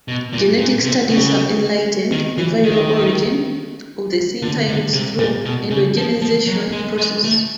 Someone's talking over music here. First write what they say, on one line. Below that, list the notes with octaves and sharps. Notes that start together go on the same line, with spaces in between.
Genetic studies have enlighted the viral origin of syncytins through endogenization process.
B2
A#2
A#2
C3
C#3
D#3
E3
D#3
D3
D3
C3
A#2
B2
C#3
F3
F3
F#3
G#3
G#3
A3